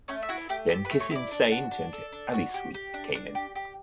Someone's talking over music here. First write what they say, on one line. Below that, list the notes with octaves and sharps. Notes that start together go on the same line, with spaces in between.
Then Kissin Saint and Alysweep came in.
A3 C#4 C#5
E5
E4 F#4 F#5
A3 G4 G5
G4 A4 A5
B4 B5
A3
C#5 C#6
E4 D5 D6
D4
F#4
D4
A4
D4
F#4
G4
G4
D4
D4
G4
G4